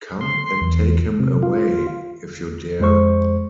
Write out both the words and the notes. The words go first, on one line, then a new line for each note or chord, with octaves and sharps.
Come and take him away, if you dare.
C6
E2
C3
F4
F2 G#3 C5 C#6